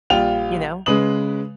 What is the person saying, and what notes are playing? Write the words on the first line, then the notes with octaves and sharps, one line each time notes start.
You know?
A#1 G3 F4 G5 F7
C#3 G#3 B4 D#6 F#7